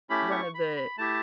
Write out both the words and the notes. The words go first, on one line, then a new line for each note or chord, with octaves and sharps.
one of the
A3 C#4 E4 G4 B5
C#6
B5
B5
A3 E4 G4 A5